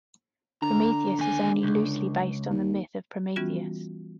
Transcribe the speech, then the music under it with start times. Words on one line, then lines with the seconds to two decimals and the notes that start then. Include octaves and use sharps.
"Prometheus" is only loosely based on the myth of Prometheus.
0.62 D3 A#5
1.19 D#2 G#5
1.63 C#2
2.51 D#2
3.36 E3 G3 B3 C#4 F4 F#4